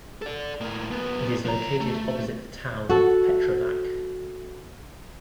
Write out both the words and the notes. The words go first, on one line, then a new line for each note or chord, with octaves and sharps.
It is located opposite the town of Petrovac.
A4 D5
A2 A#3
F#2 B3
F3 A#5
A3
F#4 A4